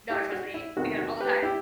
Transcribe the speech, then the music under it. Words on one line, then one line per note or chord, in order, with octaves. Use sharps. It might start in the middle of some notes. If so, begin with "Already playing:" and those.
No, trust me, I get it all the time,
E4 G4
F#4
E4
E2 C3 D#3 F#4
F#4
G4 B4
E4 G4